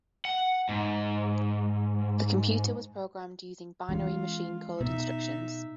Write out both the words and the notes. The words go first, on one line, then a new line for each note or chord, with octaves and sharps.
The computer was programmed using binary machine code instructions.
F#5
G#2
E3 G#3 C#4 F4
B2 D#4 E5